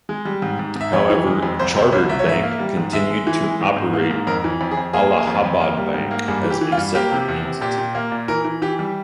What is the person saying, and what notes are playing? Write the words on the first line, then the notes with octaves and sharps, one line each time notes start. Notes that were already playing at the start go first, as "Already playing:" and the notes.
However, Chartered Bank continued to operate Allahabad Bank as a separate entity.
G#3
G3
G#2
G#2
G#2 E5
F2 C#5
E3
G#3
F2
C2 C5
C3 C5
C2 C#5
C2 E5
C#5
G#2 E5
A#3
G3
G#2
G#3 E5
G#3
E3
G#3
G#2
G#2
A#3
G#2
F2 A#4
E3
F2
G#4
F2
A#3 G#4
A#3
F2
F2
A#3
G3
G#2
A#3
G2 G#4
E3
G4
E3
F4
G2
A#3 G4
C3
E2
C3
A#2 G4
A#2
A#3
A#2
E3 A#4
E3
E3 G4
G3